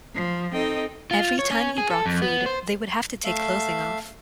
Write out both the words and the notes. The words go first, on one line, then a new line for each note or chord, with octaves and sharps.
Every time he brought food, they would have to take clothing off.
F3
C4 D#4 A4 D#5 G5
F4
C#5
C#4
G#4
A4
F2
B3
C5
A3 E5 F5